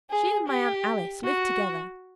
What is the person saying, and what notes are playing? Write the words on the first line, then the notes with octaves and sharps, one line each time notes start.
She and my aunt Alice live together.
G#4
G4
F#4